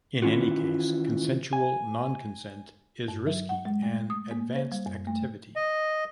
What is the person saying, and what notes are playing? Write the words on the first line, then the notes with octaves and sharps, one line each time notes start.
In any case "consensual nonconsent" is risky and advanced activity.
D#3 E3 C#4 F4 F#4
G#5
G2
F#3
F#5
G#3
A3
D#6
A#3
C5
G3
F#2
A3
D#5